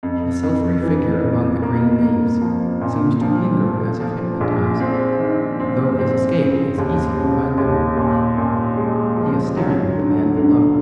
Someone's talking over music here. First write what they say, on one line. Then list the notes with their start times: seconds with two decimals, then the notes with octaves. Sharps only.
The silvery figure among the green leaves seems to linger as if hypnotised, though his escape is easy behind him; he is staring at the man below.
0.03 F2
0.43 F2
0.83 E3
1.22 F2
1.62 A#3
2.02 A#3
2.42 F3
2.82 A#2
3.21 F3
3.60 A3
4.00 F3
4.41 A#1
4.80 C4
5.19 D#3
5.60 C4
5.99 C4
6.38 C#3
6.78 D#2
7.18 C#3
7.58 D#2
7.97 A#2
8.38 A#2
8.77 G#3
9.16 F3
9.56 F#3
9.96 D3
10.36 D3